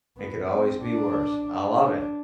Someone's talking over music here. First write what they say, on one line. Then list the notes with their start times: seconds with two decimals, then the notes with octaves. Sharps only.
It could always be worse, I love it.
0.17 B3
0.50 C4
0.82 D4
1.81 D4